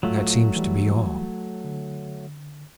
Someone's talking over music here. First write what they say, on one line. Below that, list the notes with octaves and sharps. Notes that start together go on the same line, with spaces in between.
That seems to be all.
A2 F#3 A3 F4
E3 G3
D3